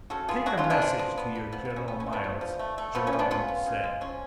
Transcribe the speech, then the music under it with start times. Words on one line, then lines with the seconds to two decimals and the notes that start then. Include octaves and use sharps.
"Take a message to your General Miles," Geronimo said.
0.10 C#3 F#4 A4
0.28 B3 F4 G#4
0.46 F#3 D4 F#4
0.58 C#4 F4
0.64 C#3
0.70 B3 D4
0.82 F3
0.99 F3
1.18 B3
1.35 B3
1.52 F3 B3
1.65 B3
1.70 F3
1.76 C#4
1.88 A3 B3
2.00 C#4
2.06 A3
2.13 B3 D4
2.24 F3
2.41 F3
2.59 A3
2.78 A3
2.95 F3 B3
3.07 C#4
3.13 F3
3.19 B3 D4
3.31 B3 C#4 F4
3.48 B3
3.66 C#3
3.84 G#3
4.01 F3 C#4